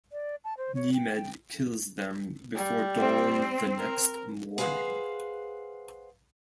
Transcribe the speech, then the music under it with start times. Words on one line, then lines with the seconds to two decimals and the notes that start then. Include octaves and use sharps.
Nemed kills them before dawn the next morning.
0.12 D5
0.44 A5
0.57 C5
0.75 C#5
0.93 G5
1.16 G5
2.55 G3
2.98 C4
3.78 A#4
4.58 G#4 B4 C5 D5 F5 F#5